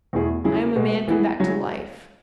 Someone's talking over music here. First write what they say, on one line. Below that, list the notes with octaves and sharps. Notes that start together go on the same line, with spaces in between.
I am a man come back to life.
E2 B2 A3 E4 G#4
C#3 F#3 C#4 E4 G#4
B2 G#3 B3
E3 B3 E4 G#4
C#3 F#3 C#4 E4